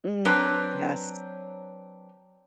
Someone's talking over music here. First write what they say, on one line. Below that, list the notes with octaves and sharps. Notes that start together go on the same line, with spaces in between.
Mm. Yes.
F#3 C4 D4 B4 C#5